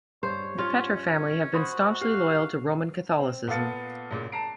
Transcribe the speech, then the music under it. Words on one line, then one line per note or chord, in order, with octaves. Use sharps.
The Petre family have been staunchly loyal to Roman Catholicism.
G2 C5 C#5
C#4 F4
F#4 C5 B5 D#6
G4 F5
C4
A#2 B3 A4 F5 A6 C#7
A1 A#2 C#3
A5 A#5 C7 D7